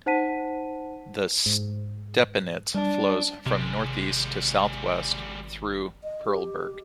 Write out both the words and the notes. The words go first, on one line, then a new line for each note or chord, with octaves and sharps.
The Stepenitz flows from northeast to southwest through Perleberg.
D#4 C5 F#5 A5 B6 D#7
G#2
G3 D4
G#1 C3 G3 G#3
D#5
G4